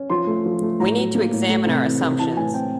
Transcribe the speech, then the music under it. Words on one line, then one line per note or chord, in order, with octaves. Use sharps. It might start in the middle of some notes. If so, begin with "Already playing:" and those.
We need to examine our assumptions.
Already playing: C#4
F3 C6
A3
F3
A3
A2 A#5
F#3
A#3
A2
A3
C3
E3
C3
E3 A5
A2 G#5
C4 G5